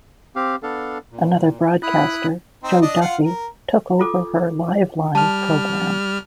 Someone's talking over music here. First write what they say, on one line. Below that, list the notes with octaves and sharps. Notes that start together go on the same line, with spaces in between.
Another broadcaster, Joe Duffy, took over her Liveline programme.
C4 G4 F5
B3 D4 A4 F5
A#2
E4 B5 D#6 F#6
C4 D#4
D4 D5 D#5
F4 F5 F#5
A#4
F4 A4 D6
G3 A5 F6